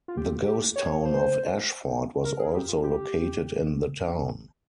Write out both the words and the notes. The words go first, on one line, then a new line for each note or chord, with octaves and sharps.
The ghost town of Ashford was also located in the town.
F4
G4
G4
C#5
C5
A#4
G#4
G4
F4
G4